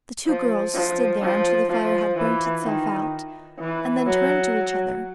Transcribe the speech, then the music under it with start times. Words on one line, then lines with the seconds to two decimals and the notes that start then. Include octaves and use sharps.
The two girls stood there until the fire had burnt itself out, and then turned to each other.
0.27 F3
0.75 F3
1.22 F3
1.69 F3
2.17 E3
2.64 D#3
3.59 E3
4.06 F#3